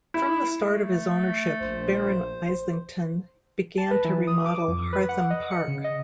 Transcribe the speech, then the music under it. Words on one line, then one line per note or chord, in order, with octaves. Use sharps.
From the start of his ownership, Baron Islington began to remodel Hartham Park.
E4
A3
A#1 C5
A5
B4
E3
D#6
D6
F2
B4
F#5
D#5
C#7
C#3
D#5